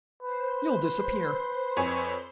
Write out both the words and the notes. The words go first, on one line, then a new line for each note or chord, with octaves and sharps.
You'll disappear.
B4 C5 C6
F2 C#5 G#5